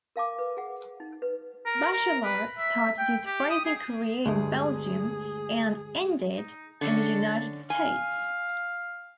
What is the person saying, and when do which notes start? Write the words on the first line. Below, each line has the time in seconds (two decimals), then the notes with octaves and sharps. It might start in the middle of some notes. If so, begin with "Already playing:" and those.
Bachelart started his racing career in Belgium and ended in the United States.
0.16 A#4 F5 A5 D6
0.39 B4
0.57 G#4 F#5
1.00 D#4
1.22 B4
1.66 A#4
1.93 A#4
2.24 B4
2.58 E5
2.99 G5
3.26 G4
3.50 D#6
3.65 G#4
4.26 D2 G2 G#3 A3 G#4
6.37 D#4
6.81 D3 C#4 A5
7.70 F5 G#5